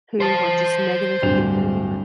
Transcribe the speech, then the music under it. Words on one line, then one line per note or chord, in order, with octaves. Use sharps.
who were just negative people,
C5 A5
D1 G2 F7